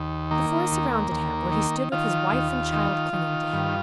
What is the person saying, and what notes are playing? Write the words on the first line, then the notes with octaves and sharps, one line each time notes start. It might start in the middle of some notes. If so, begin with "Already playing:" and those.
The four surrounded him, where he stood with his wife and child clinging to him.
Already playing: D#2
D#3 A#3
D#2
D#2
D#3
D#3 F4
D#2
D#3
D#3
G2